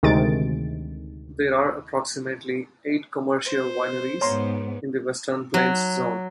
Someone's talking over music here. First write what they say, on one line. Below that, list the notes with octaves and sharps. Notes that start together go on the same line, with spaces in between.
There are approximately eight commercial wineries in the Western Plains zone.
D2 C3 D#3 G#3 A6 D7
C5
G#2 B3 C#5 A#5 C6
F#3